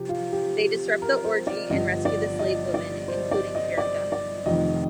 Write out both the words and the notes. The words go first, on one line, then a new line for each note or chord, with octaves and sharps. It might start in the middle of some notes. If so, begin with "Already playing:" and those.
They disrupt the orgy and rescue the slave women, including Phrygia.
Already playing: C3 F3 G4
F4
G4
A#4
C5
D5
G1 G2 F3 D#5
D5
D#5
D5
C5
D5
D#5
D5
D5
F1 F2 D#3 D#5